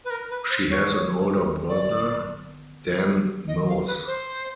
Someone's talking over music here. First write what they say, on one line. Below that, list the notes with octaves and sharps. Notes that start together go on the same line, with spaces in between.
She has an older brother, Dan Moos.
B4
A#4
B4
C5
C#5
D5
D#5
F5
B4
C5